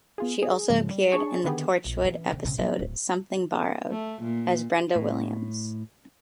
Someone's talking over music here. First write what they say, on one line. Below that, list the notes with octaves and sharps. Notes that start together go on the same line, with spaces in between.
She also appeared in the "Torchwood" episode "Something Borrowed" as Brenda Williams.
B3 F4 G#4
G#4
G#2 C#3 F3 G#3
G3
D4 G#4 C#5 A5 C#6
D3 D#3 B3 G4 G#4
A#1
E3 C#4
D3 C4
C#3 C4
F#3 E4
D1
A3
A#2
A2